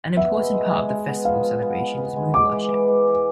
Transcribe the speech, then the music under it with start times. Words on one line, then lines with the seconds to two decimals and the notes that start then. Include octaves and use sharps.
An important part of the festival celebration is moon worship.
0.16 B3 E5
0.34 G#3
0.53 G#3
0.71 G#3
0.89 G#3
1.08 B3
1.25 F3 F5
1.43 B3
1.62 B3
1.80 B3
1.97 B3
2.16 G#3
2.34 G#3 D6
2.52 E3
2.70 E3
2.88 G#3
3.07 E3